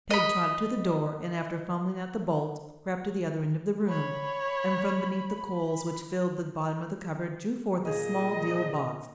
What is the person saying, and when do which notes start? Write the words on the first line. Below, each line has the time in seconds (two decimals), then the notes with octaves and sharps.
Peg trotted to the door, and after fumbling at the bolt, crept to the other end of the room, and from beneath the coals which filled the bottom of the cupboard, drew forth a small deal box.
0.10 D#5 B5
3.88 C#5 B5
7.86 A#2 G#4 D#5